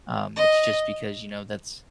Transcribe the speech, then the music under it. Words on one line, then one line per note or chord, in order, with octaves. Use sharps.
Um, it's just because, you know, that's
D#5